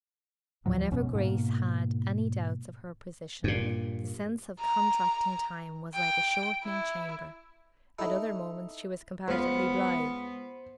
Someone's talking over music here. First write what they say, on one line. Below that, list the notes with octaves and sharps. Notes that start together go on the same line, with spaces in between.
Whenever Grace had any doubts of her position, the sense of contracting time was like a shortening chamber: at other moments she was comparatively blithe.
D2 A2 F3 F#3
F#2 B2 B3 C#4
G#2 B2 A#3
G2 A#2
A#5
G5
E4
D#4 E4 A4
C#2 B3 C5 F5